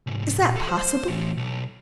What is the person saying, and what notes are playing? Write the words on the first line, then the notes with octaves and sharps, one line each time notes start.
Is that possible?
C2 G#2
A#2
A4 C6
C5
A2 E3
B1